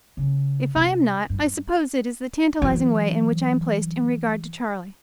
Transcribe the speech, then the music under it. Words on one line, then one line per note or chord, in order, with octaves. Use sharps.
If I am not, I suppose it is the tantalizing way in which I am placed in regard to Charley.
C#3
C3
G2
E3 F#3